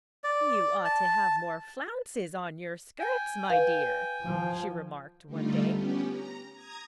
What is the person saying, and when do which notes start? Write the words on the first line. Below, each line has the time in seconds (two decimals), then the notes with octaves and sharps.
"You ought to have more flounces on your skirts, my dear," she remarked one day.
0.24 D5
0.85 A5
3.00 G5 G#5
3.50 B4 F5
4.22 F3
5.26 D3 G3 A3 D#4 F4
5.67 B3 C#4 G4
6.07 A#5
6.53 A#5 D#6 G#6